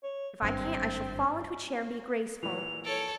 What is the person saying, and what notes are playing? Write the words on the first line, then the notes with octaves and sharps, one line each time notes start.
If I can't, I shall fall into a chair and be graceful.
C#5
G#1 G2 C4
A#1 E3 F7
A4 C#5 D7